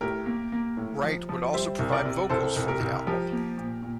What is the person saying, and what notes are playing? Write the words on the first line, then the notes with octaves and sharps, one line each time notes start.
Wright would also provide vocals for the album.
A2 G4 A#4
A#3
A#3
A2
F3
F3
G3 C5 E5
C2
A#4 D5
C3
C2 A4 C5
C2
G4 A#4
C2
F3 G4 A#4
A#3
A#2
A#2